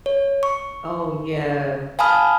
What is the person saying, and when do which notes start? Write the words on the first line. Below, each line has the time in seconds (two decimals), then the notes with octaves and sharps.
Oh, yeah.
0.06 C#5
0.43 C#6
1.99 F5 G#5 A5 B5 D#6 F6